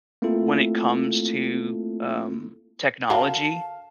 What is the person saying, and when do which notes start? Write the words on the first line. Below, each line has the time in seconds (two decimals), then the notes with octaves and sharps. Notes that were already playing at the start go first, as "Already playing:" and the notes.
when it comes to, um, technology
0.22 A3 A#3 C4 E4 F4 A4
3.10 D3 F#4 A#4 F5 A5